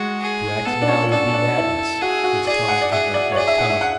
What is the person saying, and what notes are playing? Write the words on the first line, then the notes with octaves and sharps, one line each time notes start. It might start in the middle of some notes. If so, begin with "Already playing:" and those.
To act now would be madness, his time had not yet come.
Already playing: G#3 F#4
G#4
B3 A4
D4
C#4
D4 A4
D4
E4
F#4 G#4
F#4
G#4 D5
F#5
D5
G#4 E5
D5
C#5
G#4 D5
E5
F#5
E5
F#5